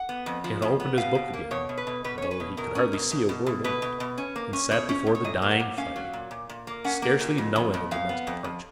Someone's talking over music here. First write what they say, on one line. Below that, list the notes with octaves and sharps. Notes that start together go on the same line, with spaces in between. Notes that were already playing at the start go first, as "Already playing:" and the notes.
He had opened his book again, though he could hardly see a word in it, and sat before the dying fire, scarcely knowing of the men's departure.
Already playing: F#5
B3
F2
F3
F2
B3
B2 F5
B2
A#3
B2 C#5
B2
B4
B2
B2 B4
C#4 C#5
B4
B2
B2 A#4
C#4
B2
B2
B2
B2
B2 B4
B2
B2
C#4
A#3
C#4
B2 C#5
C#4
B2
C#5
A#2 D#5
A#3
F#5
A#3
C#4 F5
F#3
A#2
A#2
A#2
A#3
C#4 F#5
A#3
A#2
F2
F2
F2
F2 F5
B3
F2
F2